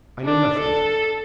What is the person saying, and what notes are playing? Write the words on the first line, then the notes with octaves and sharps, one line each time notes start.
I know nothing.
D4
A4